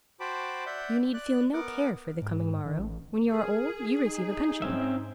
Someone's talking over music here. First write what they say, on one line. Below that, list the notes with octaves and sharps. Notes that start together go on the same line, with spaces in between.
"You need feel no care for the coming morrow: when you are old, you receive a pension."
F#4 C5 G5 A5 B5 D6
D5 E5 F#5 G6
D5 F#6
B3 A#4 F#5 D6
G#2
D#3
A1
G#4 A#4
D#4
G#2 C4 C#4 E5